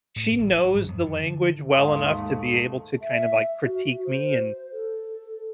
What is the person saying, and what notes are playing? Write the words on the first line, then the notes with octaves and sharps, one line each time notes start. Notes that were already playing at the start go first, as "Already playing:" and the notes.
she knows the language well enough to be able to kind of, like, critique me and
A2
A1
F#3
G#2
F2
D3
D#2 G#2 A3 F5 C6 D#6
E5
F#4
C5
A4